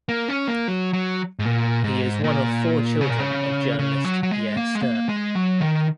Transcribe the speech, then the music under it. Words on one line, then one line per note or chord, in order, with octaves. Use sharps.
He is one of four children of journalist Yair Stern.
A#3
C#4
A#3
F#3
F#3
G#2
A#2
G#2
A#2
C#3
A#2
C#3
C#3
F#3
F#3
G#3
A#3
G#3
A#3
G#3
F#3
D#3